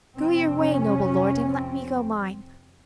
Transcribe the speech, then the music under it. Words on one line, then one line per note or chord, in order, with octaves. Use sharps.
'Go your way, noble lord, and let me go mine.
F2 C3 C4
C#4
C4